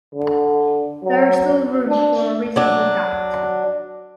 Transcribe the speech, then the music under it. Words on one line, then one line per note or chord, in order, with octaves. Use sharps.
There is still room for a reasonable doubt.
D3
F#3
D4
F#3 D4